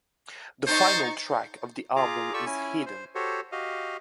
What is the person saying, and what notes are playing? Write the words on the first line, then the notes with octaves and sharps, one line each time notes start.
The final track of the album is hidden.
D#4 C5 C#6 A6
F4 G#4 A#5 D6
F4 G4 A4 D5 C#6 E6
C#4 E4 G#5
C5
F#4 G4 A4 C5 C#5
F#4 G4 D#5 F5